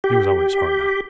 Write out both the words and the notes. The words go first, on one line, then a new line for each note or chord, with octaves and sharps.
He was always hard up.
G4